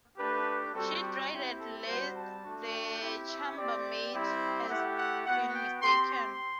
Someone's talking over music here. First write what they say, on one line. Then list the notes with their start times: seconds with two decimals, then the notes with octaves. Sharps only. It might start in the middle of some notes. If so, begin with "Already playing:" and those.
She dreaded lest the chambermaid had been mistaken.
0.18 A3 D4 G4 B4
0.74 G3 C4 F#4 A4
1.02 G4
1.30 C4 E4 G4
1.59 A4
1.87 G3 C4 F#4 C5
2.16 A5
2.44 A3 D4 F#4
2.71 G5
2.99 C4 E4 G4
3.28 E5
3.56 C4 G4 D5
4.13 G3 C4 E4 G4
4.69 A3 E4 G4 F#5
4.98 F#5
5.26 B3 F#4 F#5
5.54 G5
5.82 C4 G4 C6
6.10 C6